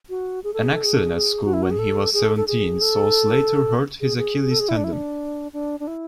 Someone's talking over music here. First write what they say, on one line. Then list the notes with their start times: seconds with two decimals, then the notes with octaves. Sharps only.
An accident at school when he was seventeen saw Slater hurt his Achilles tendon.
0.09 F#4
0.44 G#4
0.54 A4
0.63 G#4
0.73 A4
0.83 G#4
0.94 A4
1.03 G#4
1.45 F#4
1.54 E4
1.63 F#4
1.71 G#4
1.79 A4
2.13 G#4
2.25 A4
2.37 A4
2.48 G#4
2.82 A4
4.01 G#4
4.18 G#4
4.51 A4
4.60 G#4
4.69 E4
4.77 D4
4.84 E4
4.93 D4
5.53 D4
5.80 D4
5.87 E4